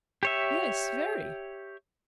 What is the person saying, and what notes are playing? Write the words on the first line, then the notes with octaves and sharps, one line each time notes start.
"Yes, very."
G4 C#5 E5